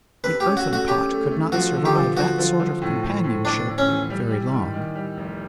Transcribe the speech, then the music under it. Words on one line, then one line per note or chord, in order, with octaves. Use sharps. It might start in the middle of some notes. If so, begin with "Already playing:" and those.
The Earthen Pot could not survive that sort of companionship very long.
C3 B4
G4
C#4
F#4
A3
F#4
C#4 G4
A3
A3
F3 F#4
D3
G4
F3
F3 F#4
F3
F3
A2
A2
A2
A2 D4
A2
C#4
E3
G3
G3
D#3
D#3
G3
F1